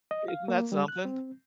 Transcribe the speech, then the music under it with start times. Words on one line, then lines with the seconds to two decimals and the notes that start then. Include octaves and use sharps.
Isn't that something?
0.11 D#5
0.28 F5
0.48 A#3
0.72 G3
0.88 F#6
1.05 C4